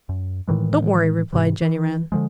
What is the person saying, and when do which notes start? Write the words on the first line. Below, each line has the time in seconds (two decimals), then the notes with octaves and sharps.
"Don't worry," replied Jenny Wren.
0.09 F#2
0.48 A2 D#3 E3 G#3
1.33 G#2 C3 E3
1.62 E3
2.12 D3 D#3 F3 G#3